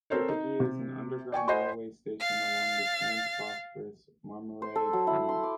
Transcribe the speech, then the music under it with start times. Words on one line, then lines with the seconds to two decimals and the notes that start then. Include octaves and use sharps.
Sirkeci is an underground railway station along the trans-Bosphorus Marmaray tunnel.
0.10 C4 A4 A#4 C5 C#5
0.28 D#4
0.60 C3
1.32 D5 G5 G#5 C#6
1.48 C5 D#5 F#5 G#5 B5 C6
2.20 F5 A6
4.62 C5
4.76 A4
4.93 F#3
5.07 E4
5.29 C6
5.43 D6